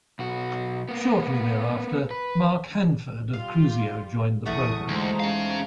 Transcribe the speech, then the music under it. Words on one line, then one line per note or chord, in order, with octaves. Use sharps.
Shortly there after Mark Hanford of Cruzio joined the program.
B1 F#4
A#3 B3
B4
G3 F4 F5
A1 E2 A3 F#5 C#6 D#6
D2 G#3 D#4 G4 G#4 C5 A#5
C#4 F5